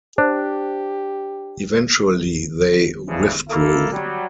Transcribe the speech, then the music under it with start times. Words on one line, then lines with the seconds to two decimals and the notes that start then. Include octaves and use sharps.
Eventually they withdrew.
0.18 D4 G4 C5
3.07 C#3 E3 F3 G3
3.48 B1 A#3 E4 A4
3.91 F#3 G3